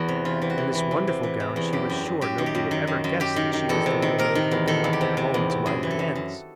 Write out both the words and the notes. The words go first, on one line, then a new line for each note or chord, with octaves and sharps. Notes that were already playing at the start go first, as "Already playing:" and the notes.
In this wonderful gown she was sure nobody would ever guess that she was the little maid who had been left at home to mind the hens.
Already playing: E2 F#4
C3
E3 F4
E3
F#4
E2
E3
C3
C3
E3
C3
E2
F#2 G4
F#2
F#2
F#2 G4
D#3
G4
F#2
D#3
F#2
F#2
F#2 G4
D#3
D#3
E2 A4
C3
D#3
C3 A#4
D#3
E2
D#3 A4
E2
G4
C3
C3
E2
C3
F#2 G#4
E3
A4
F#2
F#2